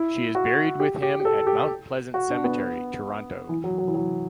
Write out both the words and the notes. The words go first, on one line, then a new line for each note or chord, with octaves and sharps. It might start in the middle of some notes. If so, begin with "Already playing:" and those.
She is buried with him at Mount Pleasant Cemetery, Toronto.
Already playing: E4
F#4
G4
G4
G4
A4
G4
F#4
D4
B3
E3
F#3
F#3
E3
F#3